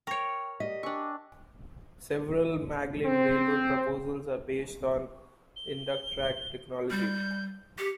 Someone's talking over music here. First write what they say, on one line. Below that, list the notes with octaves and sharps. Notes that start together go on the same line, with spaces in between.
Several maglev railroad proposals are based upon Inductrack technology.
A#4 C#5 G5 C#6
G4 D5 D#5 B6
D4 G5 G#5 C#6 E6
C4
G7
G3 G6
G4 C#7